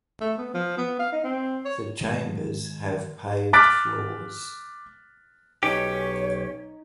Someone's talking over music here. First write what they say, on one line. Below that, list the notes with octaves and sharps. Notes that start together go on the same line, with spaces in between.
The chambers have paved floors.
A3
B3
F3
B3
F5
D#4
C4
C#5
D#3 G#3
D6 F6 F#6 A6 B6 D7
B1 C#4 D#4 G4 C#5